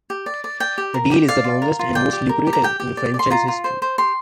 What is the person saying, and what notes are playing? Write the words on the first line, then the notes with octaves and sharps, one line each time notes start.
The deal is the longest and most lucrative in franchise history.
G4
D5
D5
D5 G5
G4
A#4
G4
D5 F5
F4
A#4
F4
D5 G5
G4
A#4
G4
A#5
G4 G5
G4
D5
D5
C6
F4 A#5
F4
C5
C5
G4 C6